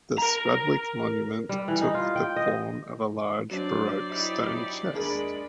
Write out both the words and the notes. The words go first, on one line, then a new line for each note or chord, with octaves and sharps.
The Strudwick monument took the form of a large Baroque stone chest.
A#4 A#5
G3
E3
D#4
F4
G5
D#5
F#3 D4 C5 D5
D#4 E4 G4
D#2 G#3 D4 G#4 A#4 D5 B5